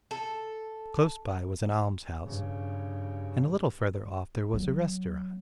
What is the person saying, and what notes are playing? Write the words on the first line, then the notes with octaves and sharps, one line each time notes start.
Close by was an almshouse, and a little further off there was a restaurant.
A4
G2 C#3
F#3